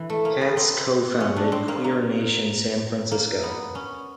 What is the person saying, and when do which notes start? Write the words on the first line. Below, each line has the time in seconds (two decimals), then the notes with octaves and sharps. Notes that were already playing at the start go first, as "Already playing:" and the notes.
Katz co-founded Queer Nation San Francisco.
Already playing: E3
0.10 A3
0.25 A#3
0.41 B3
0.57 C4
1.20 C#4
1.36 D4
1.52 C4
1.68 A#3
1.84 A#3
3.11 A#3
3.43 B3
3.75 C#4